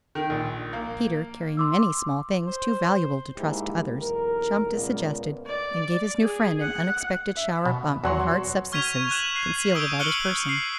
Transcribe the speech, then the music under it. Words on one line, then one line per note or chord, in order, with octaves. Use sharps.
Peter, carrying many small things too valuable to trust to others, jumped, as suggested, and gave his new friend an unexpected shower of bumps from hard substances concealed about his person.
D#3
A#1
A#3
C6 D6 E6
C5
G#2 A#3 E4 G4
B1 E2 A#4
C#2 A#2 G#3 A#3 B3
D5
G#4
F#5
E5
B2
E2 F#3 F#4 C#5 F#5 C6
C#6 F6 G#6 B6 D#7 F7
F#6 E7 F#7
C7
C#6 D#6 E6 G6 D7 G7
F6 F#6 C#7 F#7 G7
C7